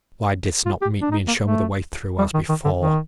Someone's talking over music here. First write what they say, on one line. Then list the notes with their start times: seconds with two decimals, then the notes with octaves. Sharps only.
"Why didst not meet me and show me the way through, as before?"
0.66 F4
0.82 G4
1.01 D4
1.12 D#4
1.27 A#3
1.43 A3
2.19 G3
2.34 D#3
2.49 D#3
2.65 D3
2.80 D#3